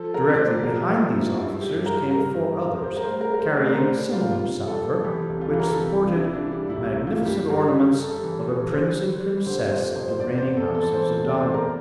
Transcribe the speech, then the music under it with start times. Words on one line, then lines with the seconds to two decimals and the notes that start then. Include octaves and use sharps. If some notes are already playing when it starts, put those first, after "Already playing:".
Directly behind these officers came four others carrying a similar salver which supported the magnificent ornaments of a prince and princess of the reigning house of Zodanga.
Already playing: F3 A4
0.14 F3 A#4
0.34 D5
0.38 A2 C5
0.63 F3 A#4
0.76 G4
0.81 F4
0.87 F3
1.00 E4
1.12 F3
1.19 D4
1.36 G2 E4
1.61 G3 G4
1.86 G2 A#4
2.10 G3 A#4
2.35 G2
2.59 G3
2.74 A#4
2.84 G3 C5
2.97 A#4
3.03 C5
3.08 A2
3.21 A#4
3.33 G3 A#4
3.39 C5
3.57 A2 D5
3.71 A#4
3.76 C5
3.81 A2
3.94 D4
4.07 G3
4.12 F4
4.31 C3 F4
4.56 G3
4.68 A4
4.80 G3
5.05 E3 G4
5.29 C2
5.41 F4
5.54 E3
5.59 A#4
5.68 A4
5.78 C2 G4
5.97 F4
6.03 C3
6.10 D4
6.15 E4
6.27 G3
6.33 D4
6.52 G3 D4
6.70 E4
6.76 C2
6.89 E4
7.01 G3
7.07 F4
7.25 G2 G4
7.50 G2 A#4
7.74 G2 G4
7.99 G3 A4
8.23 E3
8.48 E3
8.72 G3 C5
8.97 G3
9.22 G3
9.46 D3 C5
9.70 F2 C5
9.95 F2 C5
10.08 C5
10.20 E2 D5
10.38 C5
10.44 E2
10.57 A4
10.69 E3
10.75 A4
10.93 E3 C5
11.18 E2
11.28 D5
11.41 E2 C5
11.54 A#4